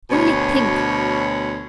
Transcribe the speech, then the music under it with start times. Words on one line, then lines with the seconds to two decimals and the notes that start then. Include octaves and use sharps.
Only think!
0.10 D2 B2 C#5